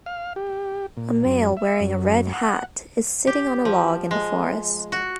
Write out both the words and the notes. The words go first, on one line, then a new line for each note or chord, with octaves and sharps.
A male wearing a red hat is sitting on a log in the forest.
F5
G4
A#2
F#2
E5
F#2
F#5
G4
F3
G#3
F#4